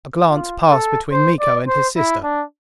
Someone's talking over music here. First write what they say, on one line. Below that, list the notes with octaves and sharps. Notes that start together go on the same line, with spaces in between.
A glance passed between Miko and his sister.
F4
A4
C5
D5
C5
E4
D4